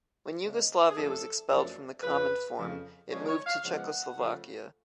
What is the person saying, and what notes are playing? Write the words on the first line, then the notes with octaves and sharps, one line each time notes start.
When Yugoslavia was expelled from the Cominform, it moved to Czechoslovakia.
C#3 G#3 B3 D4
G#4
F#2 F3 A3 D4 A4
F#2 F3 A3 D4
F2 C#3 F3 B4
F2 C#3 F3
C#3 F3 G#3 B3 D4 C#5
D5
C#5
F5
C#3 F3 G#3 B3 D4 F#5
C#3 F3 A3